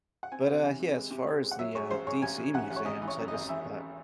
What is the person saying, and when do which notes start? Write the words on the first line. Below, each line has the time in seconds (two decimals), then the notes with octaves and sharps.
but, uh, yeah, as far as the, uh, DC Museums, I just, uh
0.23 F#5
0.32 C4 G#5
0.48 C3
0.63 E3
0.80 C3
0.96 G#3
1.11 C3
1.27 C4
1.43 G#3
1.51 F#5
1.59 F#3 E5
1.75 G#2 C#5
1.91 A1 C5
2.07 G#2 C#5
2.22 A1 G#5
2.38 A1
2.54 A1 F#5
2.71 A1
2.76 C#5
2.85 G#1 D#5
3.02 E3
3.08 C#5
3.18 F#2
3.28 D#5
3.33 G#1
3.49 E3 E5
3.65 G#1